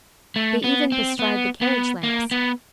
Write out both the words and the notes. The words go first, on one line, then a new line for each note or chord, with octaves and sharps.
They even bestride the carriage lamps.
A3
B3
C4
B3
B3
A#3
B3